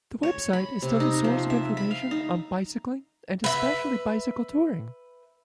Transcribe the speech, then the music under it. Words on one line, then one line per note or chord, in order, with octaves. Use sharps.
His website is still a source of information on bicycling and especially bicycle touring.
C#5
B5
C3
D#4
F3
E5
B5
F5
D#4
B4 E5